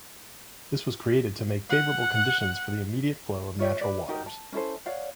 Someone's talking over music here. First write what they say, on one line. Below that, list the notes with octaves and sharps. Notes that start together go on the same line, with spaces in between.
This was created to make favorable conditions for the immediate flow of natural waters.
F#5
F4 C#5 E5
B4 D5
D#4 F#4 G4 A#4
A5
C#4 E4 A4 C5
C#5 D5 F5 F#5